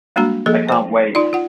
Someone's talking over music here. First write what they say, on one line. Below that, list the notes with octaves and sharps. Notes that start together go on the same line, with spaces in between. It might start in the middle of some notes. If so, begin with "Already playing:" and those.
I can't wait!
G3 G#3 A#3 D4 F#4 A#5
F3 A#3 G#4 A4
C5 G5
D#4 F4 D5
F4 F#5